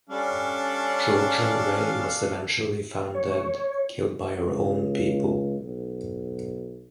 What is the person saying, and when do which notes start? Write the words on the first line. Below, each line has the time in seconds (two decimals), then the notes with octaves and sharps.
Georgia Rae was eventually found dead, killed by her own people.
0.10 G3 C#4 D4 A4 F5
3.15 C#5
4.42 C#2
5.59 B1